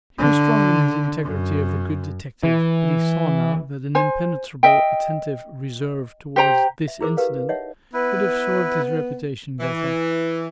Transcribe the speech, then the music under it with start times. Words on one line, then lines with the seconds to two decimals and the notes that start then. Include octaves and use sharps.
He was strong in his integrity of a good detective, but he saw now that an impenetrably attentive reserve towards this incident would have served his reputation better.
0.18 D3
1.23 F#2
2.43 E3
3.95 C5 G#5
4.63 D#5 E5 G5
6.36 G4 C5 G5 A#5
6.88 E5
7.01 E4 G#4 A#4 C5 D6
7.17 G4 A#4 B4 F5
7.49 D#4 C#5 D#5 E5 F#5
7.94 B3 E4 B4
9.60 E3